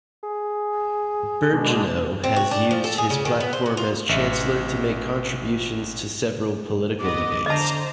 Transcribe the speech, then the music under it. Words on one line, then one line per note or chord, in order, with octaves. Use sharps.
Birgeneau has used his platform as Chancellor to make contributions to several political debates.
G#4
B2 G#3 D4
C4
F#4
D4
F3
A4
G#4
C#3
D#3
B3
C5
F#4
F4
A1 E5 C#7
B3 D#5 D6
D3 C5 D#5 A5 A#5